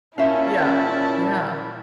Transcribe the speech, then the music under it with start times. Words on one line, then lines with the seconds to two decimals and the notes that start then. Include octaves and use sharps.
Yeah, yeah.
0.18 A#2 C#4 E4 C5 E5 F5 A5